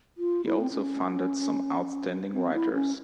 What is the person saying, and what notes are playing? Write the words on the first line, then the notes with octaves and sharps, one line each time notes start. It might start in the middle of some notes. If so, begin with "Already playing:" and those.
He also funded some outstanding writers.
F4
E4
C4
C#4
C4
E4
C#4